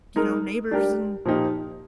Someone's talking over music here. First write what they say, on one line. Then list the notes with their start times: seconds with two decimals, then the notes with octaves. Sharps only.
you know, neighbors and
0.16 G#3 D#4 A#4
0.71 G3 D4 G4 A#4
1.25 A#2 F3 A#3 D#4 G4